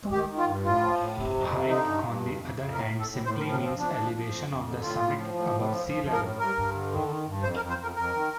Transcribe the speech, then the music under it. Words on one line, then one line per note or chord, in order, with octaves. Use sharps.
"Height" on the other hand simply means elevation of the summit above sea level.
D#3 G4
D#3
F4
G2
A2 F4
F3
A2
C3
F2
C3
D3 D#4
G2
G2
F2
F2
F2
A2 A#4
A2
A4
A2
A2 C5
A#4
F3
A#4
F3 C4
F3 D4
F3
F3
F2
F2
D3
A2 F4
A2
F3
A2
A2
F3
F3
F3
A#4
A2
G2 A#4
G2
D3
D#3
D#3
G2
F2 C5
A#4
F2
C5
F2 A#4
F2 A#4
D#3